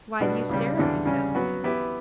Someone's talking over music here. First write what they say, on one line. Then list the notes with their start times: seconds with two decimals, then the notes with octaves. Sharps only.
'Why do you stare at me so?
0.20 B2 G3 B3 D4 F#4
0.49 C#2 C#3 G3
0.77 E2 D3 G3 D4
1.06 C#3 G3 C#4
1.35 F#3 B3 F#4
1.64 E3 B3 E4 G4